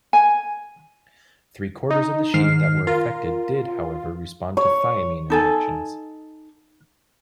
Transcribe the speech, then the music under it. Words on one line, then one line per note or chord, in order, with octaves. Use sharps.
Three-quarters of the sheep that were affected did however respond to thiamine injections.
G#5
D#4
G#2 D#3 F6 C7
F4 A#4
C#5
D#4 A4 G#5